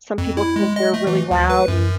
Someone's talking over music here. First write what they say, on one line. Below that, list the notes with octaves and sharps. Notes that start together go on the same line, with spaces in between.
some people think they're really loud and
F2
E4
G#3
D#5
A3
E3
D2
B4
F#2